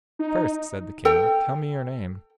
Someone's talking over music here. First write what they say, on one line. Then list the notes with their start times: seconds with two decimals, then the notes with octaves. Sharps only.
First, said the king, tell me your name.
0.19 D#4
1.05 A4 G5